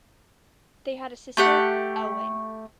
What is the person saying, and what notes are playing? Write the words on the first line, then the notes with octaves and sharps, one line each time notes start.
They had a sister Elwing.
A3 G4 F#5